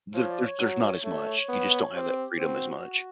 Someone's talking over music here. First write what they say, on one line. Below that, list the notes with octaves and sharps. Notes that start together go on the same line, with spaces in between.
there there's there's not as much, you just don't have that freedom as much.
F3 C#5
D5
C#5
F#3
A3 C#5
B3
C4 G4
C4 F#4